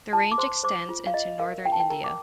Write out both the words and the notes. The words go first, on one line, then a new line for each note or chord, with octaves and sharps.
The range extends into northern India.
F4 A5
D6
C5 C6
C5 D6
F4
F5
F4 D#5
A#4 F5
F4 G5
A5
G5
A#4 A#5
D6